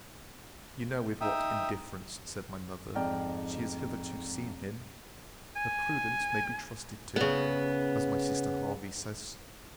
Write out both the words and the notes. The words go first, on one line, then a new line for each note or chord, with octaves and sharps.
You know with what indifference, said my mother, she has hitherto seen him.--Her prudence may be trusted to, as my sister Hervey says.
D#4 E5 G5 D#6
F2 G#2 D5 G5 A#5 F6
G#5
C#3 B3